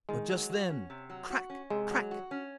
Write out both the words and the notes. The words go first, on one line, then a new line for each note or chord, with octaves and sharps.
But just then--crack! crack!
D#3 G#3
F#3
F#4
C#4
C3
F#3
F#4
C#4
C3 G#3
F#3
F#4
C#4